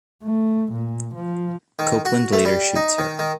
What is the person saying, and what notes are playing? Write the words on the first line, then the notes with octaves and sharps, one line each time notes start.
Copeland later shoots her.
A3
A#2
F3
D#3
F#4
A3
G3
D#4
D#3
D#3